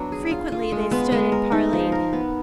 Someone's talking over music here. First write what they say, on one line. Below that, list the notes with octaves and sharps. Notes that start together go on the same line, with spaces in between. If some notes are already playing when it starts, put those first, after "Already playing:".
Frequently they stood and parleyed.
Already playing: F#3 B3 D4
G#4
F4
F4
G#3
B3
G#3
A#4
D#4
F3
A#4
B3